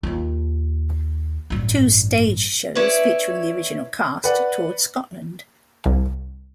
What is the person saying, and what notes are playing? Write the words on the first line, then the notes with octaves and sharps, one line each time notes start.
Two stage shows, featuring the original cast, toured Scotland.
D#2 F4
A1 G2
C#4 E4 B4 C#5 D5
B4 D5 F#5
C2